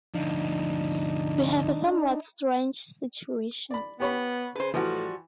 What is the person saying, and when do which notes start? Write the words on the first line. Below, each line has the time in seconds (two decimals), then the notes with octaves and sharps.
'We have a somewhat strange situation.
0.14 D2 F3 D4 D#4
3.71 D5 B5
4.00 B3 G4 C#5 B5
4.56 C#3 B4 C5
4.74 A2 E3 F3 G3 F#4